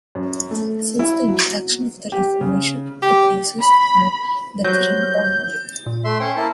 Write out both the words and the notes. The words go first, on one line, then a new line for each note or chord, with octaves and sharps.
Since the introduction of the Reformation, the places are Lutheran coined.
F#2
A3
E4
F#3
G4
C#3
G4
B5
F#3 G3 C5 G6 A#6
A#2
A3 E5 C6
C#4 C5 C#5 G5
A#3 E4 A5